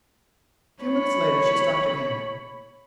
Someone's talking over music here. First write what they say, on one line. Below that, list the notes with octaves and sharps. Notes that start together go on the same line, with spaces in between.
A few minutes later she stopped again.
C#5 B5